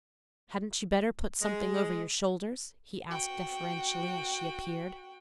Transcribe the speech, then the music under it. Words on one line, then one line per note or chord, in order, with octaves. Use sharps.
"Hadn't you better put something over your shoulders?" he asked deferentially as she appeared.
G#3
F#4 G5